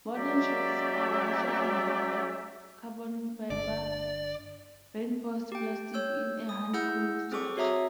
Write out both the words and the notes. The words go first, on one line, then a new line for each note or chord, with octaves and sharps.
Modern shells are usually made of carbon-fibre reinforced plastic in a honeycomb structure.
F#3 G#3 C#4 G4 D5 E5
G1 D3 D4 D5
G4 G5
C#5 E6 G6
D#6
E4 G#4 F#5 E6 G6
C4 G#4 A4 C#6 D6
F#4 C#5 E5 A#5 D#6